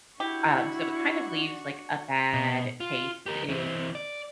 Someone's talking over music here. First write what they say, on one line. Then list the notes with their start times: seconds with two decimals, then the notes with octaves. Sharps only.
Um, so, it kind of leaves, like, a bad taste in
0.20 D4 E4 F#4 G4 C#6
2.33 B2
2.80 F4
3.26 G4 A#4
3.49 E3 C4
3.95 D5